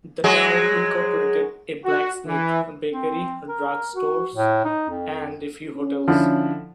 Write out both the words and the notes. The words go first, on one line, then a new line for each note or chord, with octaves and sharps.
The town incorporated a blacksmith, bakery, drug stores, and a few hotels.
F#3 G#3 G#4
F#4
E3
C4
A#4
F#4
A2
D#4
F2
C#4
D3 F3 E4